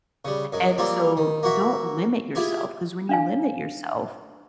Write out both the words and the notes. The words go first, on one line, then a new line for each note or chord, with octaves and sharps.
and so don't limit yourself 'cause when you limit yourself,
C#3 G3
F#2 G#3
F3 G3 A#3 C4 F4
D#3
A#3 F#4 E5
E4 F4 G4 G#4
D4 F5 G#5